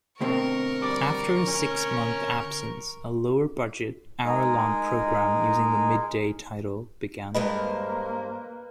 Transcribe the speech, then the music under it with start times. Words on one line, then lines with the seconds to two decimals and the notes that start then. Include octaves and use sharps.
After a six-month absence, a lower-budget hour-long program using the "Midday" title began.
0.21 D2 B2 C4 A#4 C#6
0.81 G3 D5
1.46 C#4
4.25 G#3 D#4 G#4 A#4
7.34 G2 G#3 A#3 B4 C5 D#5